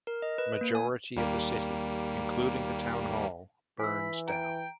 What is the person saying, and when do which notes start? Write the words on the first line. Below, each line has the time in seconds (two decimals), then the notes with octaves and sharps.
Majority of the city, including the town hall, burns down.
0.07 A#4
0.22 D#5
0.38 B4
0.61 A#3
0.75 G#5
1.16 D#2 G3 A#3
3.79 E3 G#5 B5 E6
4.28 G5 A#5 D7